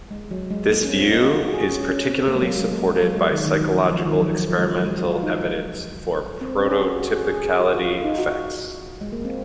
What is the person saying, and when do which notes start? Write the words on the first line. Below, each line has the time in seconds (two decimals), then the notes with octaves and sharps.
This view is particularly supported by psychological experimental evidence for prototypicality effects.
0.11 G#3
0.31 F#3
0.51 G#3
0.71 A#3
0.84 C#4
0.90 C4
1.00 F4
1.10 D#4
1.24 F#4
1.38 G#4
1.48 F#4
1.54 G#4
1.69 C#4
1.88 C#4
2.08 C4
2.28 A#3
2.35 G#3
2.42 F#3
2.57 G#3
2.71 A#3
2.87 G#3
3.02 F#3
3.16 G#3
3.32 D#3
3.46 D#3
3.61 F#3
3.75 F3
3.91 F3
4.05 D#3
4.15 F#3
4.20 F3
4.35 F3
4.49 F3
4.58 G#3
4.64 F#3
4.84 G#3
4.98 F#4
5.03 F4
5.23 D#4
6.41 C4
6.60 C#4
6.71 G#4
6.81 F#4
7.00 F#4
7.15 G#4
7.30 G#4
7.45 G#4
7.60 F#4
7.74 F4
7.90 F4
8.04 D#4
8.18 F#4
9.01 G#3
9.13 A#3
9.25 C4